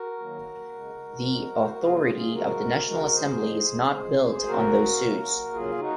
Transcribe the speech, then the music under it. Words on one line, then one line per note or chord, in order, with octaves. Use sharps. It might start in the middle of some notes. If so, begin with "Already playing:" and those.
The authority of the national assembly is not built on those suits.
Already playing: F#4 A#4
D#3 F#3 A#3
C#3 G#3
A#2 F3 G#3
C5
A#4
C3 F#3 A#3 F4 G#4
A#4
F4 G#4
F4 G#4
C3 F3 G#3 F#4 A#4
C#3 G#3 F#4 A#4
G#4 C5
A#2 F3 G#3
A#2 G#3
C#3 F#3 A#3 F#4 A#4
C3 F#3 A#3
C#3 F#3 A#3 F4 G#4
D#4 F#4